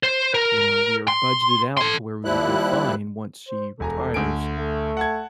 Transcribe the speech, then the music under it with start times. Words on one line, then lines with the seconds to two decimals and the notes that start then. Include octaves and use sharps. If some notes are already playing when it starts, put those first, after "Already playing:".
you know, we are budgeted out to where we would be fine once she retires
0.03 C5
0.34 A#4
1.08 C6
1.77 A4 C6
2.25 D#2 F3 G3 E4 F#6
3.49 C5
3.80 E1 A4 G#5 A#5
4.14 D2 G#5 D7
4.59 A3
4.97 F#5 A5 G#6